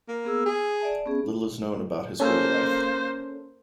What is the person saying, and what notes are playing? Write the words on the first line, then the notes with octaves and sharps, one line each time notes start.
Little is known about his early life.
A#3
B3 G#4 E6
G#4 D#6
D5 E5 A5
B3 C#4 G#4
A#3 C#4 A4 C5